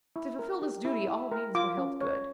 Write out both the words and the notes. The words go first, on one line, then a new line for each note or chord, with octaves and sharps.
To fulfil this duty all means were held good.
E4
A#4
G4
E4
E4
A#4
F4 D6
C#4
C#5